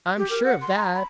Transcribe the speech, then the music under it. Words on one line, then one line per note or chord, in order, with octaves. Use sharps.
I'm sure of that.
G4
A#4
F#5
C6
A#5
B5